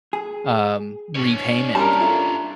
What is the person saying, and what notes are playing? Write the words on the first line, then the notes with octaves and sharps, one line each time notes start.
um, repayment.
G#4
D4 C#5
G3 C#4 A#4 A5 A#5 C6
E4 F4 A4